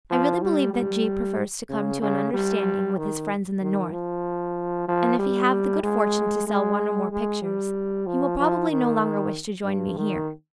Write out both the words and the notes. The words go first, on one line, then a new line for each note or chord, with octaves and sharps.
I really believe that G. prefers to come to an understanding with his friends in the North, and if he have the good fortune to sell one or more pictures, he will probably no longer wish to join me here.
F3
G3
G3
C#3
C#3
G3
D#3
D#3
F3
F3
G3
G#3
G#3
G#3
G3
F3
F3
D#3
G2
D#3